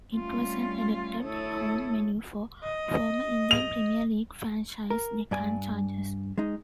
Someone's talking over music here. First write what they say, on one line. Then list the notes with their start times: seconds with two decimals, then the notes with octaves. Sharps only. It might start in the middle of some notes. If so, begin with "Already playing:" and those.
It was an adopted home venue for former Indian Premier League franchise Deccan Chargers.
0.11 G3 A3 C#4 F4
1.22 D2 E4 A4 C#5 D#6
2.63 D#5
3.51 F7
4.90 A#4
5.31 G2 D5 G#5
6.38 G#3 D#4